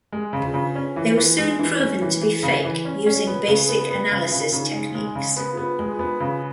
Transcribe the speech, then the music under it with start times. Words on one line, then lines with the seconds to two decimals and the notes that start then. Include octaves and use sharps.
They were soon proven to be fake using basic analysis techniques.
0.12 G#3
0.33 C#3
0.54 C#3
0.75 C#4
0.96 E3
1.17 E3
1.38 G#3
1.59 E3
1.80 C#4
2.01 E3
2.22 E3
2.43 C#3
2.64 E3
2.85 C#4
3.06 C#4
3.27 B3
3.48 C#3
3.69 B3
3.90 B3
4.11 C#3
4.32 C#3
4.52 C#3
4.74 G#3
4.95 G#3
5.15 C#3
5.36 B3
5.57 B3
5.79 G#3
5.99 B3
6.20 C#3